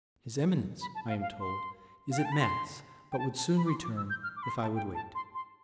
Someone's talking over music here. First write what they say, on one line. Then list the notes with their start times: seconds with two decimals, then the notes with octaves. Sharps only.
"His Eminence," I am told, "is at Mass, but would soon return, if I would wait."
0.82 B5
0.95 A5
1.09 F5
1.21 F5
1.40 C6
2.11 F5
2.18 G5
2.25 A5
2.32 B5
2.39 C6
3.12 G5
3.19 A5
3.38 A5
3.57 B5
3.66 D6
3.70 C6
3.84 D6
3.97 E6
4.10 G6
4.23 F6
4.36 D6
4.43 B5
4.49 C6
4.62 A5
4.75 G5
4.95 A5
5.15 C6
5.35 C6